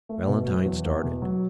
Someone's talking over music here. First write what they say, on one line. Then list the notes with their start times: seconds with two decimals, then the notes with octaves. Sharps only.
Valentine started.
0.09 A3
0.27 B2
0.47 F#3
0.65 E2
0.85 E2
1.03 B2
1.22 F#3